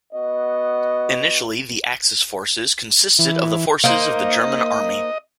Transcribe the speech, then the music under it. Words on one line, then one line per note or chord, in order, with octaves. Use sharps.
Initially the Axis forces consisted of the forces of the German army.
B3 F#4 D#5
E3
A#3 D#4 C5 D#5